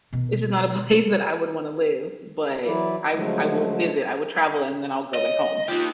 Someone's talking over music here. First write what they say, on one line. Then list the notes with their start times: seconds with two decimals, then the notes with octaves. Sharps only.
it's just not a place that I would want to live, but I wi I will visit, I will travel and then I'll go back home.
0.13 B2 D#3
2.65 E3 F#3 E4 B4 D5
3.13 D3 F3 F#3 G#3 A3
5.15 C#5 D#5
5.68 D#4 F4 G4